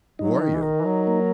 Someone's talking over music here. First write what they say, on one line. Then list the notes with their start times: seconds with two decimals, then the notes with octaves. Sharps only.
"Who are you?"
0.19 F#3 D#4
0.41 D#3
0.56 E3
0.63 D#3 A#4
0.81 E3
0.85 F#3
1.07 A#3